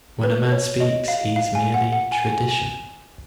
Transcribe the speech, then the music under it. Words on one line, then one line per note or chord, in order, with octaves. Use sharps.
When a man speaks he's merely tradition.
B4
C#5
D#5
F5
F5
G#5
F#5
F#5
G#5
G#5
G#5